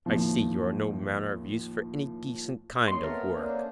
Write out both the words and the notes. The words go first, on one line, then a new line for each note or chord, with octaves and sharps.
I see you are no manner of use for any decent kind of work.
D#2 A2 F3
A2 A#3 C4 C#5 D#5 C6
A3 B3 G#4 A#4
A#3 C#4 D4 A4 C5